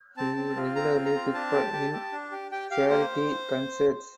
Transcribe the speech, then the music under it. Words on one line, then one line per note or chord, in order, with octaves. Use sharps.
He regularly took part in charity concerts.
C4 A5
C4
F4
C4 A#5
F4
A#5
C4
D4 A5
G4
G4
G4
D4
G4
G4 G5
G4 F5
A#3 C5